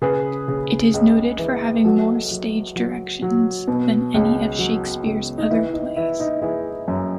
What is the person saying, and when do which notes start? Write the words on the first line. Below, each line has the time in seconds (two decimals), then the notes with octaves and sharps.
It is noted for having more stage directions than any of Shakespeare's other plays.
0.01 C#3 G#4 B4
0.48 C#3
0.94 C#2
1.39 E3
1.85 F#3 F#4 A4
2.31 F#3
2.76 F#3
3.22 F#3
3.68 B2
4.14 C#2
4.59 F#3
5.05 C#2
5.38 D#4
5.50 E3 E4
5.74 D#4
5.96 E3 E4
6.20 D#4
6.42 E3 E4 G#4
6.88 F#2